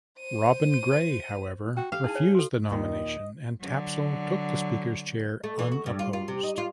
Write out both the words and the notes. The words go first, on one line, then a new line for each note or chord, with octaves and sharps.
Robin Gray, however, refused the nomination, and Tapsell took the Speaker's chair unopposed.
C5 D#7
F#4 G5
G4 F5
D#4 E4 G#4 A5
C#5
F#4 A4
D#2 A#2 D#3 D#5
D3 F#3
A3
E3
F#4
G2
F4
F4
C3
D#4
F4